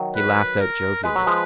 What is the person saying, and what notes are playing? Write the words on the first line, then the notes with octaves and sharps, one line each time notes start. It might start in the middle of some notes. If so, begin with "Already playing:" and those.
He laughed out jovially.
Already playing: D#3 F#3
B4
A#4
G#3 B4
F#3
F3 G#3